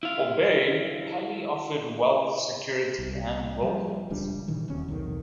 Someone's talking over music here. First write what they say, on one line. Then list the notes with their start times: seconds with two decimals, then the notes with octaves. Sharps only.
For Babe, Paley offered wealth, security, and worldliness.
0.03 E4 F5
2.99 C2
3.62 F3 G3
4.10 D#1 C#2 G3 D4
4.48 A#2 D#3 E3
4.68 D#1 E2 B2 C#4
4.88 B1 E2 C3 D#3